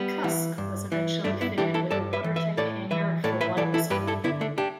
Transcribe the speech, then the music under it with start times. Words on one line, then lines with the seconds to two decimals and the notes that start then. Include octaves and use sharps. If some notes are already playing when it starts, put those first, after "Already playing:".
"Cusk" was eventually fitted with a watertight hangar for one missile.
Already playing: G3 B3
0.24 E3
0.58 G2
0.92 E3
1.24 G2 A3 D4
1.41 B3 E4
1.58 E3 D4 G4
1.74 E4 A4
1.91 G2 A4 D5
2.13 B4 E5
2.24 E3
2.36 B4 E5
2.57 A2 A4 D5
2.91 E3 B4 E5
3.24 A2 A4 D5
3.41 B4 E5
3.57 E3 A4 D5
3.74 E4 A4
3.90 G2 G4 B4
4.07 E4 A4
4.24 D3 B3 E4
4.41 A3 D4
4.58 D4 G4